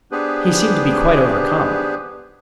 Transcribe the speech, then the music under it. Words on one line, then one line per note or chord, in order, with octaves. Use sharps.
He seemed to be quite overcome.
B3 D4 G4 G#4 B4 C5